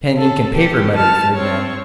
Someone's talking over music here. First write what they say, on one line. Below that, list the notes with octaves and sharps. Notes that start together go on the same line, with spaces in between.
"Pen, ink, and paper," muttered Fernand.
A4
G4
A5 F6
C4 C#5